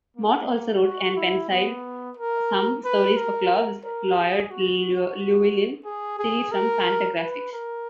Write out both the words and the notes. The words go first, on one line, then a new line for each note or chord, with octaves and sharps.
Mort also wrote and penciled some stories for Clowes' "Lloyd Llewellyn" series from Fantagraphics.
A#3
F#4
E4
B3
A#4
B4
A#4
A#4
G#4
F#4
G#4
G#4
A#4
B4
A#4